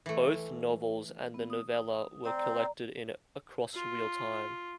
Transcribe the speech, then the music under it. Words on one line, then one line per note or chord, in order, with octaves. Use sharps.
Both novels and the novella were collected in "Across Realtime".
E3 A3
B3
D#6
C4 D5 A#5
F4